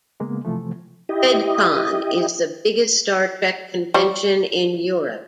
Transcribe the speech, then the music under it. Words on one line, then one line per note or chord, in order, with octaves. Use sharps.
FedCon is the biggest Star Trek convention in Europe.
C#3 G#3 A#3 B3
C3 E3 F3 A3
E4 G4 D#5
G3 C#5